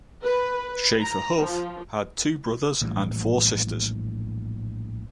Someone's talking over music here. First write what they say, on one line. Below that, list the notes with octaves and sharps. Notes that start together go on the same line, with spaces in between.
Schaeffer Huff had two brothers and four sisters.
B4
A#5
F3
A#1 A2 E3 G3